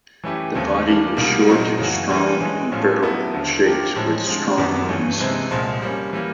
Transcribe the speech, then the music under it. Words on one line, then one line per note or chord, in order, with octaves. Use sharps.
The body is short, strong and barrel-shaped, with strong limbs.
E3 A3 C#4 E4 G4
D#2 C#3 E3 A3 C4
E3 G3 A#3 D4
C2 B2 G3 A#3
A#2 F#3 A3 C4 D#4
F#2 C#3 E3
E3 G3 A#3
E3 G#3 C#4
A2 F3 A3 C#4 F4
F#3 B3 E4 A4
D#2 D3 F3
F3 A#3 D4 G4 A#4
A2 F3 G#3
D3 F3 G#3 C4
F#2 D#3 G3 B3 D4
G2 E3 A3 C#4
C3 E3 G#3 C4 E4
C2 A#2 F3 G#3
G3 A#3 C#4
E3 G3 A#3